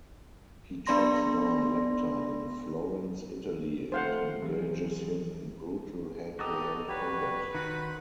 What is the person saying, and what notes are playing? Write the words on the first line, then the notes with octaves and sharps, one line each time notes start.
He tracks down Lecter in Florence, Italy, and engages him in brutal hand-to-hand combat.
B3 D4 D5 B5 C6 A#6
F2 A3 C5 F5 F#5
D#1 C3 E3 F#3 G#4
D#1 D#4 F#4 G4 A4 D#6
G3 F#4 G4 B4 C#5
D#1 D#3 F#4 C5 F#5 B5